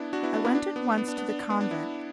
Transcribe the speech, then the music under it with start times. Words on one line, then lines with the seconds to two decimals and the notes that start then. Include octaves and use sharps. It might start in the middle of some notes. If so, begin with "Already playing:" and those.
I went at once to the convent.
Already playing: B3 D4 E4
0.13 D4 F#4
0.23 B3 E4
0.34 D4
0.45 B3 E4
0.55 D4
0.76 B3
0.98 B3
1.08 D4
1.18 B3
1.29 D4
1.40 D4
1.50 B3
1.61 D4
1.71 B3 E4